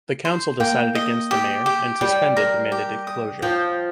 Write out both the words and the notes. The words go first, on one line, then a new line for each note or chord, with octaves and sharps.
The Council decided against the mayor and suspended the mandated closure.
C5
A#3 G5
D#5
G4
G4
G3 G5
A#4
G4
D#6
F3 G5